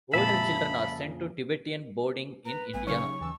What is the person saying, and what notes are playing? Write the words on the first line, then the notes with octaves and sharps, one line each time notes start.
Older children are sent to Tibetan boarding in India.
F2 A#2 C#3 E5 A5 B5
B4 A#5
A1 A3 B3 G#5
C#3 F#3 C#4 D#4 G4 C#6
D#2 E3 A5 E6